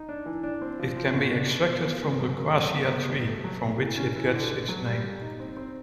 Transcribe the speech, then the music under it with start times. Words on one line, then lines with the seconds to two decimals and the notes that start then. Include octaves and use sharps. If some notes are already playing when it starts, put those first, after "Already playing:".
It can be extracted from the quassia tree, from which it gets its name.
Already playing: D#4
0.09 D4
0.26 E3
0.43 D4
0.62 C4
0.79 F3
0.96 F3
1.14 B2
1.32 D4
1.50 B2
1.68 F3
1.86 B3
2.02 G#3
2.21 F#3
2.38 A#3
2.57 F#3
2.74 B3
2.92 B3
3.09 G3
3.26 A3
3.44 F#3
3.62 B2
3.79 E3
3.97 C#4
4.16 E3
4.34 D3
4.51 D3
4.69 F#3
4.86 G3
5.04 G3
5.22 D#4
5.40 C4
5.57 C4